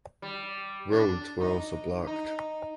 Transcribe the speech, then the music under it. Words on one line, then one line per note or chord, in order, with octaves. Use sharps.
Roads were also blocked.
G3
D4
D#4
D#4